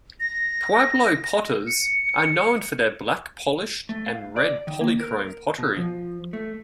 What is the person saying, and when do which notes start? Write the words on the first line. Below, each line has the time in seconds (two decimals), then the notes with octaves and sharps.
Pueblo potters are known for their black polished and red polychrome pottery.
0.20 A#6
1.67 C#7
3.89 A3
4.06 F5
4.36 D5
4.67 D#3
4.81 A#3
5.00 A#4
5.58 B2
5.77 F3
6.33 A3